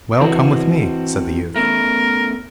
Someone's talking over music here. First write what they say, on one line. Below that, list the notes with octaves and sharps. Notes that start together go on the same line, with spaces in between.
'Well, come with me,' said the youth.
E3 C4 F#4
A3 B3 C#4 A#4